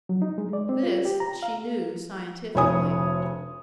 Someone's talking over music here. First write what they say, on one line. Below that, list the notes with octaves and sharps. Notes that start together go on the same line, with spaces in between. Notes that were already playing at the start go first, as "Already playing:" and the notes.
This she knew scientifically.
F#3
D#4
G#3
D5
C4
F4
G4
A#5
F5
F1 D2 E4 C#5 G#5 D#6